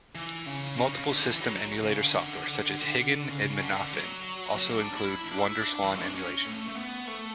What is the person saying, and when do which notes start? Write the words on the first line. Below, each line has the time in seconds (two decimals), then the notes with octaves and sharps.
Multiple system emulator software such as Higan and Mednafen also include WonderSwan emulation.
0.15 E3
0.46 C#3
0.77 C#3
0.93 C#3
1.10 D3
1.26 E3
1.40 F#3
1.83 C#3
2.04 D3
3.30 C#3
3.62 D3
3.93 F#3
4.56 F#3
4.71 E4
4.77 D4
4.97 E4
5.32 D4
5.39 E4
5.61 D4
5.82 E3
6.03 D4
6.13 C#4
6.45 A3
6.68 A3
6.75 B3
7.07 A3